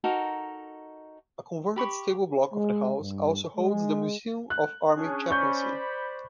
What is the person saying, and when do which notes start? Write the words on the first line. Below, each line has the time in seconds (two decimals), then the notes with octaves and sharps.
A converted stable block of the house also holds the Museum of Army Chaplaincy.
0.04 D#4 F#4 A4 A#4
1.76 G4 B5 C#6
2.53 G#3
3.00 G2
3.57 G#3
4.50 F#6
4.96 C#4 D4 G#4
5.30 C5 D5 B5 C#6 G6